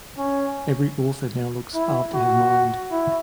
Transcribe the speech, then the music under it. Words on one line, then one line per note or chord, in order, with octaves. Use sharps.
Every author now looks after his mind.
C#4
E4
F#4
E4